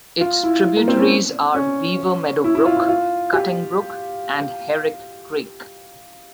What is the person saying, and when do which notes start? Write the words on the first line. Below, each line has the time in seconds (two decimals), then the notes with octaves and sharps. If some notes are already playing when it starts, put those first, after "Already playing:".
Its tributaries are Beaver Meadow Brook, Cutting Brook and Herrick Creek.
0.21 F4
0.43 E4
0.77 A#3
0.88 C4
0.99 C#4
1.55 C#4
2.44 E4
2.55 E4
2.66 F4
2.77 E4
2.89 F4
3.34 G4